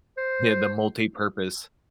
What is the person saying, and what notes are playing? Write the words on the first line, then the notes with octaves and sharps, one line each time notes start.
Yeah, the multipurpose.
C5